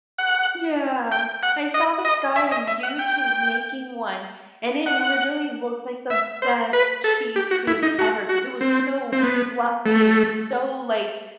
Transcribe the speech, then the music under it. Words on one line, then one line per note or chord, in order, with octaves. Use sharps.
Yeah. I saw this guy on YouTube making one, and it literally looks like the best cheesecake ever 'cause it was so fluffy and so, like
F#5
G5
F#5
D#5
D#5
E5
D#5
E5
F#5
G5
F#5
E5
C5
B4
A4
G4
F#4
E4
D#4
F#4
F#4
C4
C4
B3
A3